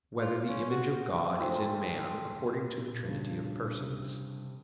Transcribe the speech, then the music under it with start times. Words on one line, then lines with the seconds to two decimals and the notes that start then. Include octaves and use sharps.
Whether the Image of God Is in Man According to the Trinity of Persons?
0.19 F4
0.48 C#4
0.70 F#4
1.31 D#3 G#3 A3 C4
2.78 A#2
3.05 G2 C#3
3.80 C3